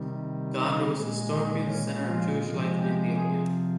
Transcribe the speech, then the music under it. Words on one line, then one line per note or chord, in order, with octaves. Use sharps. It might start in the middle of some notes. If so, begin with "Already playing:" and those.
Gonder was historically the center of Jewish life in Ethiopia.
Already playing: C3 D#3 G3
D#3 D#4
A#2 G#3
D#3 D#4
C#3 C#4
F3 F4
C3 F3 G#3
G3 G4
G#3 G#4